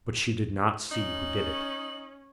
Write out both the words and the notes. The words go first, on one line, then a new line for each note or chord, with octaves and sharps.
But she did not see who did it.
C#4 D#4 F#7